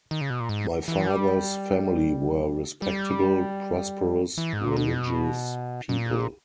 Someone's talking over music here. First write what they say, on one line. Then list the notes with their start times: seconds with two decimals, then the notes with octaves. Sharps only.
My father's family were respectable, prosperous, religious people.
0.11 D#3
0.21 C#3
0.30 B2
0.40 A#2
0.49 G#2
0.88 E3
1.07 G3
2.82 G3
4.38 E3
4.53 G#2
4.65 A#2
4.77 B2
5.89 B2
5.92 A#2